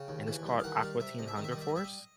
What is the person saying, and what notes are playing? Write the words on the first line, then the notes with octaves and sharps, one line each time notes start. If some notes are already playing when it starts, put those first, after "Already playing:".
And it's called "Aqua Teen Hunger Force."
Already playing: C#3 G5
D#2
E3
G3
F5
D#3 F#5
G3 F5
C3 E5
C2 D#5
E5
D#3 D#5
E5
D#5
G3
E5
D#5
G3 E5
D#5